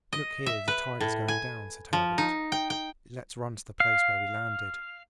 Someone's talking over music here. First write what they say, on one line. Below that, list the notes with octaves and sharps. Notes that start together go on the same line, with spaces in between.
"Look here, the tide is going down," said Herbert; "let's run to the place where we landed."
D#5
E5
B4
A2
G#5
F3
D#4
G5
G5
F5